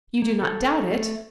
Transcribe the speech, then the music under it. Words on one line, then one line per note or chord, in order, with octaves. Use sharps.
"You do not doubt it?"
A#3
A4
A3